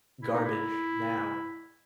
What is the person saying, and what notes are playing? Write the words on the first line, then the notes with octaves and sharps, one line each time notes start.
Garbage now."
E4
D#4
E4